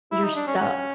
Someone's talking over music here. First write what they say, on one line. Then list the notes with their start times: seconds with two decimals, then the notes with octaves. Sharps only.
you're stuck.
0.11 E4
0.23 D#4
0.35 D4
0.47 C#4